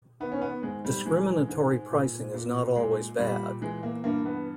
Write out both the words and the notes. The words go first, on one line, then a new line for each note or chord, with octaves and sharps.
Discriminatory pricing is not always bad.
D#3 B3
C#4
B3
G#2 G#3
G3
E3 G#3
G#2
A#2
A#2
A#2 G#3
A#2 G3
E3 G#3
A#3
G2 A#3
B3